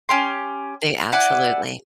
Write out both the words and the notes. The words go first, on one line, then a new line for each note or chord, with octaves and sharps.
They Absolutely
C#4 G4 C6
E4 D5 F#5 G#5